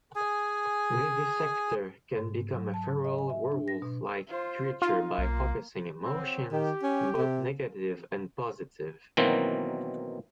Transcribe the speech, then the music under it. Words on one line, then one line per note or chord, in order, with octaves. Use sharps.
Vivisector can become a feral werewolf-like creature by focusing emotions, both negative and positive.
G#4 G#5
G#2
F#3
A5
D#5
G#5
E5
D4
A#6
B2
F4 C5
D#4 F4
B1 A#3
F#3 C4
D#3 G4
C#4
C3
B2 D#3 E3 F#3 A#3 C4